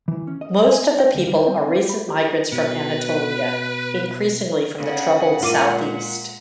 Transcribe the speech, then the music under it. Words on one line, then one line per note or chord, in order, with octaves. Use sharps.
Most of the people are recent migrants from Anatolia, increasingly from the troubled south-east.
E3
C#4
D#5
G#5
G5
D2
G3
C4
G4
B5
G4
D#5
B2 B4
C#3 F#5
A#2 G#3 F4 A#4 D6 D#7